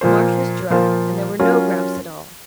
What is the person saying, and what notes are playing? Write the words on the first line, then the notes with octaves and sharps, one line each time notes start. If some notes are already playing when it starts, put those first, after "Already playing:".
The marsh was dry and there were no grouse at all.
A#2 F3 A#3 F4 C5
A#2 F3 A#3 F4 C5
F#3 C#4 F4 A#4